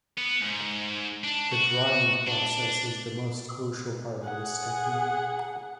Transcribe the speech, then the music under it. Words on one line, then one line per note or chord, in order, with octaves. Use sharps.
The drying process is the most crucial part of this technique.
B3
G#2
D4
F#4
D4
G#4 F#5